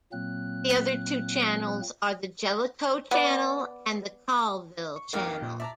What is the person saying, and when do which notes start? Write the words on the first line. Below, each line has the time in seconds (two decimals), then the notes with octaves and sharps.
The other two channels are the Jellicoe Channel and the Colville Channel.
0.12 A#2 F#3 A#3 C4 F#6
3.11 B3 D5
4.96 C#6
5.13 A#1 F2 D#4 G4 A#4 F5 F6
5.42 A#2
5.60 D5 E5 A5 A#5